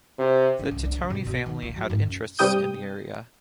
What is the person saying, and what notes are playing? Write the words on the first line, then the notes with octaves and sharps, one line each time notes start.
The Tittoni family had interests in the area.
C3
C#3
C2
D4
C#3
B2
B2
D#3
F4
F#3
G#2
F#2
G2 C3 G3 G5 D#6 G6